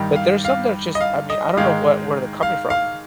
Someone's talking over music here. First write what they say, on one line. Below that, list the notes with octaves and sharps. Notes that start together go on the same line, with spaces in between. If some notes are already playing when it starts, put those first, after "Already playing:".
but there's some that are just I mean, I don't know what where they're coming from,
Already playing: G2 D#3 G3
F5
F5
D#5
F5
D#5
G#2 D#3 G#3 F5
F5
F5